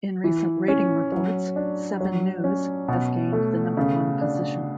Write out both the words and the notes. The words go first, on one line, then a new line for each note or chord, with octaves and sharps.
In recent ratings reports, "Seven News" has gained the number one position.
E3
C#4
F#3
D4
F#3
C#4
B2
A3
C#3
D4